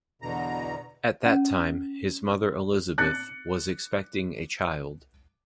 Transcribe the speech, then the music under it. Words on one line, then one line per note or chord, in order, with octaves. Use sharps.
At that time, his mother Elizabeth, was expecting a child.
E2 B2 D3 A#5
C#4
F#6 A6 C#7